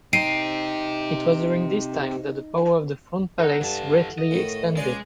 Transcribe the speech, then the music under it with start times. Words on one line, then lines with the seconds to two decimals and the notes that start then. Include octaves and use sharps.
It was during this time that the power of the Front Palace greatly expanded.
0.13 C4 D#4 G4 C7 D7 D#7
3.39 D#4 A4 F#5
3.61 G2 E3 A5
4.18 D#5
4.31 A2 D#3
4.76 C#2 G#3 D5 G#5